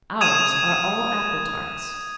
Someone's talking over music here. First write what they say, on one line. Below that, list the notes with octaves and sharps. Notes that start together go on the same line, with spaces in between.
Ours are all apple-tarts.
D#6 G#6 D#7 E7